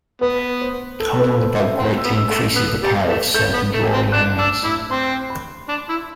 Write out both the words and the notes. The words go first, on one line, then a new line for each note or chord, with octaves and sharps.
Holding the bug greatly increases the power of certain drawing hands.
B3 B4
C5
A4
B4
C5
E5
C4 F#5
E6
B3
E6
A3
D6
B3 F#6
G3
A3
A3 G6
B3
A3
C4
D4 F#6
D4 E6
E4 D6
C4 C6
B5
D4
E4